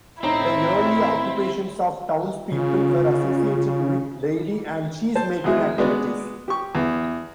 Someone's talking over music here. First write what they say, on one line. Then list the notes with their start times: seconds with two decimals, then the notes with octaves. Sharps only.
The early occupations of townspeople were associated with dairy and cheese-making activities.
0.23 A1 C4 D#4 E4 A#5
2.52 C#3 F4
5.15 C5 A5
5.44 E2 F#3 G#3 E4
5.78 G#3 B3 F#4 D5
6.48 G4 C#6
6.75 E2